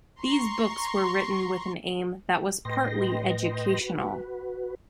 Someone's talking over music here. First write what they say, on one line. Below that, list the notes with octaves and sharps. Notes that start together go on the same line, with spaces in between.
These books were written with an aim that was partly educational.
A#5 C6 C#6
A2 B4 D#5 G5 C6 A#6
F#4 B4